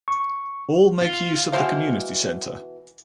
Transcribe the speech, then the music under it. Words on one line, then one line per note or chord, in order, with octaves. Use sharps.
All make use of the Community Centre.
C#6
F4
B2 E3 C5 F5